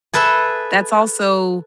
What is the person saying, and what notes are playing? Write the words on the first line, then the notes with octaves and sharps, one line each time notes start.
that's also,
G#4 A4 B4 E5